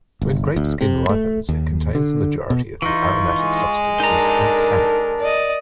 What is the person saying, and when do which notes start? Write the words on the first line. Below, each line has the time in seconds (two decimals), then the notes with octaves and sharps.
When grape skin ripens, it contains the majority of the aromatic substances and tannin.
0.22 G1
0.56 D2
0.81 C3
1.09 A3
1.49 D#2
1.95 D3
2.50 B2
2.82 E3 D#4 F4 C#6
3.40 G#3
4.00 D4 D#4 A4 A#4 A#5
5.20 D5 D#5